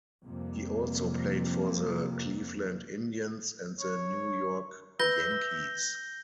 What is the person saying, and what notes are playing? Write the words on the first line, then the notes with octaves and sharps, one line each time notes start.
He also played for the Cleveland Indians and the New York Yankees.
F2 C3 G3 A#3
C#5
B4 E5 G6 A#6 G7